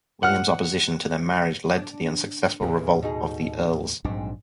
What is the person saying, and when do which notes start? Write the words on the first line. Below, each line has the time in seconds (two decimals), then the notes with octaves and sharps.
William's opposition to their marriage led to the unsuccessful Revolt of the Earls.
0.23 F#5 F6
1.77 D4
2.61 D#2 A2 C#3 E3 G#3
3.03 B2 D#4 G#4
4.05 A#1 G#2 F#3 C4 D4